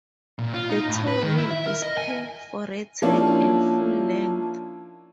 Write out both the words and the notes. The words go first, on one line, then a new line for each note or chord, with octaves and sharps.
The toe rail is perforated and full length.
A#2
F4
D#4
A2
B4
D#3
E4
E5
A#4
D#5
G#5
F3 A#3 C#4 D4 E4